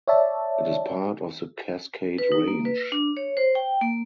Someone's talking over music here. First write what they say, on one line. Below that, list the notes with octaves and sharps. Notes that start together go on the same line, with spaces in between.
It is part of the Cascade Range.
C#5 D5 E5 A5
B4
D#4
A#3
B4
D4
C#5
C5
G5
A#3